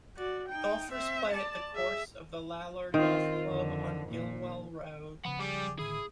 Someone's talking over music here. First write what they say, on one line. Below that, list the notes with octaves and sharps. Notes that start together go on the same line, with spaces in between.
Golfers play at the course of the Lalor Golf Club on Gillwell Road.
F#4 D5
D#4 G5
C4 E5
D5 A5
G#4 E5
D#3 C4 F4
F2 D3
A#2
C#3 F3 F#5 B5
G3 G4 G#4 D5
A2 D3 D#3 E4 G#4 D#6